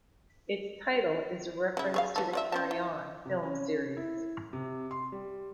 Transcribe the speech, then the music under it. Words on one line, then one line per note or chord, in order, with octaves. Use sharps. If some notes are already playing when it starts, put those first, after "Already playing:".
Its title is a reference to the "Carry On" film series.
C#3 E4
G#4 C#5 F5
E3 A4
F4 D5 E5
C4 C#4 A5
E4
C3
C#4
E4
C3
C6
G3